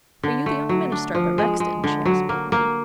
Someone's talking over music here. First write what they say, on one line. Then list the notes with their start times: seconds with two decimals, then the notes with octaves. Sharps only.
"Are you the young minister up at Rexton?" she asked bluntly.
0.23 D3
0.46 A3
0.69 F#3
0.92 D4
1.15 F3
1.38 G#3
1.60 G#3
1.84 D3
2.05 F#3
2.29 A#3
2.52 A#3